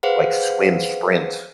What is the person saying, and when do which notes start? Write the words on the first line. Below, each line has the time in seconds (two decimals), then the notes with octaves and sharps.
like swim sprint
0.03 G#4 B4 C5 F5 F#5